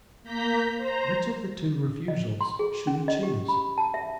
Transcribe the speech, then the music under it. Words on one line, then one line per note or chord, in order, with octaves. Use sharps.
Which of the two refusals should he choose?
A#3 A#5 G6 B6
C5 A#5
D#5
C6
G#4
C#4
D#5
G4
B5
A5
E5